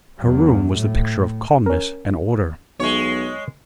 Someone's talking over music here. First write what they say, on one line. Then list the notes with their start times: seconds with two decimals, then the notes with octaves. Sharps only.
Her room was the picture of calmness and order.
0.19 E2 F#3
0.72 A2
1.66 C#4 A#4
2.80 B1 G#3 C#5